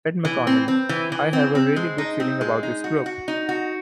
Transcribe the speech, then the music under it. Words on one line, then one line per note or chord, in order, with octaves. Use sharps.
Said McConnell, I have a really good feeling about this group.
E3
C4
C4
E3
E3
C4
C4
G#3
D#4
C4
G#3
D#4
F#4
F#4
D#4
F#4